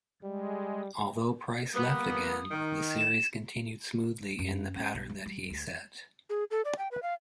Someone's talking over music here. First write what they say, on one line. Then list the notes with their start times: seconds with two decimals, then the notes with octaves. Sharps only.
Although Price left again, the series continued smoothly in the pattern that he set.
0.23 G3 G#3
1.74 G3 A#3 B3 D#6
2.51 D#3
2.98 E7
4.39 F#2
4.76 C#4
4.94 B1
5.09 G3
5.26 G3
5.50 D2
6.29 G#4
6.51 A4
6.65 D5
6.78 G5
6.91 B4
7.02 F5